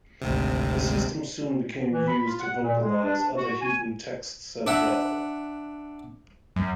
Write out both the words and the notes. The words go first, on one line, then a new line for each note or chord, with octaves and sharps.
The system soon became used to vocalize other Hebrew texts as well.
G#1 D2 C3
E3
B5
F4
F#5
A#2
G#3
D4
F#4
G#5
D4 E5 F#5
F#2